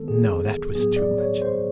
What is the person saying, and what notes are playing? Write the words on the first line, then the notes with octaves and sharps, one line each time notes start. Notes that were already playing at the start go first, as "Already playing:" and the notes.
No, that was too much!
Already playing: D#3 G#3 B3 A4
G#4
A2 F#3 B3 G#4
D5
C#5
C5